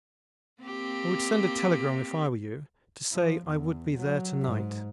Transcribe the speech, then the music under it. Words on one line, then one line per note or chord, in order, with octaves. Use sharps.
"I would send a telegram if I were you, to say I would be there to-night."
A#3 C4 G4
F3
E2
F#3
G#2